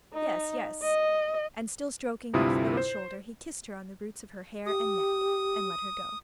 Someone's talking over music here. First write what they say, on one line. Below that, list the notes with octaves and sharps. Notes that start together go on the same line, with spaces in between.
"Yes, yes." And still stroking her little shoulder, he kissed her on the roots of her hair and neck, and let her go.
D#4
D#5
D2 G2 C3 E4 F4 D#6
C5
G4 D#6